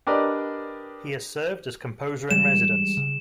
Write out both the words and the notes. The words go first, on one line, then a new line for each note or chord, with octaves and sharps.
He has served as composer-in-residence.
D4 G4 A#4 B4 D5 D#5
E3 G3 G#3 E7
C#3